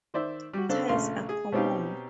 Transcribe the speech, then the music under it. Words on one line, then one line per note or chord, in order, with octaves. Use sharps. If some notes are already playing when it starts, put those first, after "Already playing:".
Ties are common.
D#3 C5 D5 E5
G3 F#4
C#3 C4 D4 A4
A#1 C#3 A3 F5 C6
G#4
B2 C4 C#4 D#4 G4 F5